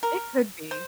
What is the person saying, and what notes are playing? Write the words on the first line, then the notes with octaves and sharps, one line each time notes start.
It could be.
A#4
C5